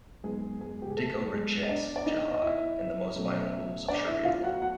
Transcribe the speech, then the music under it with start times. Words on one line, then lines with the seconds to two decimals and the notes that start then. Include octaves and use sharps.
Dicko rejects jihad and the most violent rules of Sharia law.
0.24 F#2 D#3 G#3 B3 G#4
0.61 G#3 G#4
0.82 G4
0.90 G#4
0.97 A3 A4
1.21 A4
1.34 G#3 G#4
1.63 D#5
1.69 D4 D5
1.96 D5
2.06 D#4 D#5
2.31 D#5
2.42 E4 E5
3.16 B2 F#3 A3 C#4
3.88 D4 D5
4.07 E4 E5
4.25 F4 F5
4.44 F#4 F#5
4.62 F#4 F#5